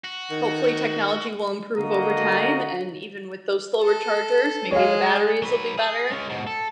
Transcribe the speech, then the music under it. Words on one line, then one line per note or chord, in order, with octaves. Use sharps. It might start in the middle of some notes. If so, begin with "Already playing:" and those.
hopefully technology will improve over time, and even with those slower chargers, maybe the batteries will be better,
F#4
D#3
D3 A#3 F#4 D#5 A#5
A4
G#3 C#5 F5
F#3 B4
G#4
G#3 C#4
G#2 B2
A4